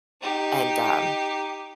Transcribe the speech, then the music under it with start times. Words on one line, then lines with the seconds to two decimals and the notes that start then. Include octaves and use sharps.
and, um,
0.22 D#4 G4